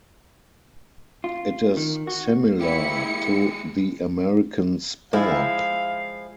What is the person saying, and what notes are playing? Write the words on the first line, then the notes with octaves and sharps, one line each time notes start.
It is similar to the American spork.
F4
D#3
F#4
G#3 A#3 E4 G4 C#7
F3 G#3 E4 F5